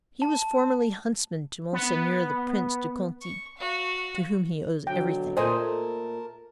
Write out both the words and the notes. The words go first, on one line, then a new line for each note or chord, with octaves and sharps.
He was formerly huntsman to Monseigneur the Prince de Conti, to whom he owes everything.
A5
B3
C#6
F#4 F5
B2 D3 F#3 G5
A#2 A3 A#4 C5 D#5 G#5 A5